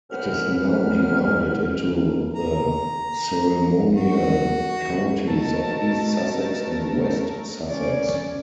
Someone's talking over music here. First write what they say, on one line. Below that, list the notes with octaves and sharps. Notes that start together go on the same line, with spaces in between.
It is now divided into the ceremonial counties of East Sussex and West Sussex.
C2 F#2 B4 F#5 F6
A#5
F#4
B2 A3 A#4 A5
C#4 D5